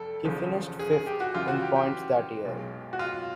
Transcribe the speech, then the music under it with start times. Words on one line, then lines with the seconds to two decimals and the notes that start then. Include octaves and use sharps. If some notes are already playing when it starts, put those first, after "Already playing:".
He finished fifth in points that year.
Already playing: F1 F2 A4
0.24 E1 E2 C#3 F3
0.79 G#4
0.93 G#4
1.06 G4
1.20 F#4
1.34 F2 C#3 E3 G3 F4
1.48 F#4
1.62 G4
1.76 G4
2.45 B1 B2 G#3
2.93 F#4
2.99 F4